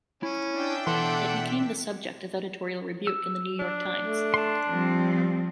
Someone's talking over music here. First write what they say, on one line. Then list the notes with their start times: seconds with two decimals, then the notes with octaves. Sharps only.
It became the subject of editorial rebuke in "The New York Times".
0.23 C#4 E4
0.55 D4 E5 G5
0.87 B2 E3 A4 F#5 C6
3.07 E6
3.60 D4
3.99 A3
4.34 A5 C6
4.68 F3 G3 C4